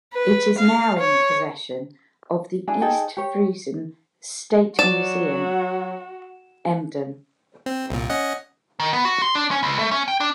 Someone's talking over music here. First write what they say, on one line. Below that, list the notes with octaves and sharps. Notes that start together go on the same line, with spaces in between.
It is now in the possession of the East Frisian State Museum Emden.
B4
F5
C#5
D4 E4 G#4
D#4 G#4 A4 G5
G4 C#5
F#3 F#4 D5 E7
C4
C2 A#2
C#4 D#5 F#5
D#3
B3
F#4
C6
D4
C#4
C#2
A3
C#4
G5
D4